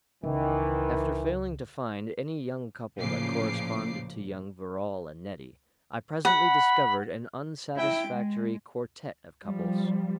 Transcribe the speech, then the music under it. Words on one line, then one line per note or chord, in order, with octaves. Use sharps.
After failing to find any young couple that corresponded to young Verrall and Nettie, I presently discovered an unsatisfactory quartette of couples.
C#2 D#3 E3
A1 A#2 C#3 F3 D6 C7
F#5 B5
E4 G5
G#3
F3 G3